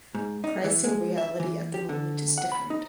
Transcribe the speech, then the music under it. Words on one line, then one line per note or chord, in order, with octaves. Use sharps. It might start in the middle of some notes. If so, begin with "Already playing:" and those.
Pricing reality at the moment is different.
G#2
D#4
E3
G#3
E5
E3
G4
D3
F#5
B5
D#4